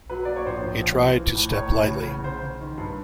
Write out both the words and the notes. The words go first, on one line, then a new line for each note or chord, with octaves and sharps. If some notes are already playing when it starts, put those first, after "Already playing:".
He tried to step lightly.
F#3 B4
A#3 D5
C#5
A#1 C5
A#1
F3
F3
E3
A2
A2 C#5
A2
C#3
E2
C#3 C5
C#3
D#3
G2